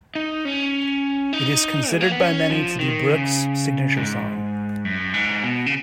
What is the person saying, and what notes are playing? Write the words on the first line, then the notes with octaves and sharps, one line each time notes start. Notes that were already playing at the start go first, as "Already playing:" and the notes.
It is considered by many to be Brooks' signature song.
D#4
C#4
D#4
G#3
A#3
B3
C#4
F3
D#3
C#3
G#2
F#2
G#2
B2
C#3